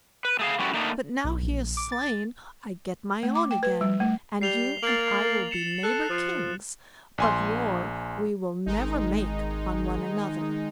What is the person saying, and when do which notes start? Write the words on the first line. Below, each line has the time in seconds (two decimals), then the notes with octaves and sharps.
But now he is slain I get my own again, and you and I will be neighbour kings, but war we will never make on one another.'
0.25 B4
0.39 A3 G#4 F5
0.59 G3 C#4 E4 F#4 G#4 A4
0.74 A3 A#3 D4 D#4
1.24 B1
1.43 A#1
1.77 D6
1.92 A6
3.23 A3
3.35 D6
3.51 G5
3.63 B4
3.81 G3
4.00 A3
4.41 G3 C7 F7 G7
4.83 A#3 A6 F#7
5.51 C#7 E7
5.83 A4 F#6
6.09 F3
7.18 A#1 G#5 C6
8.66 G#1 D#3 G#3 D#4